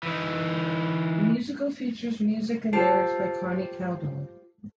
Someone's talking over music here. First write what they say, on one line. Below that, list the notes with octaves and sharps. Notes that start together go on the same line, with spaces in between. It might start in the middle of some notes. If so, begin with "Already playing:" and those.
The musical features music and lyrics by Connie Kaldor.
E3 D#4
F4 G4 A4 C5